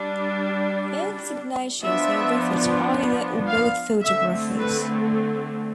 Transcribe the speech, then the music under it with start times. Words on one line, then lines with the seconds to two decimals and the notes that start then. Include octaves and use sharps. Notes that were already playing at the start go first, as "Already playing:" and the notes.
Both signatures may refer to either or both photographers.
Already playing: G3 D4
1.82 F3 B3 D4 E5
3.48 F5
4.03 D3 A3 C4 E5
4.58 B4